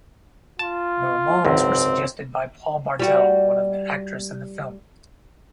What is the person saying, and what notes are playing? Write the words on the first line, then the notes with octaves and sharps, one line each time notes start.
The Ramones were suggested by Paul Bartel, one of the actors in the film.
F4 A5
G#1 C#2 F#2 C4
G3 F#4